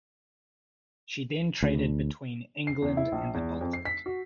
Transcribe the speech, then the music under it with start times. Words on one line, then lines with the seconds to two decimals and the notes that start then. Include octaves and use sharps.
She then traded between England and the Baltic.
1.63 D2
2.67 C7
2.82 E2
2.97 E4
3.12 A#1
3.34 E2
3.61 F2
3.73 C7
3.85 B6
4.06 F#4